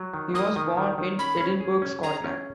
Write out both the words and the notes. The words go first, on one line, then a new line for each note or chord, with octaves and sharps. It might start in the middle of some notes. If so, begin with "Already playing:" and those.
He was born in Edinburgh, Scotland.
Already playing: F#3
D#3
A#3 D#6
D#3
D#3
D#3
C#4 B5
C#4
G#4
C#4
G#4 A#5
C#4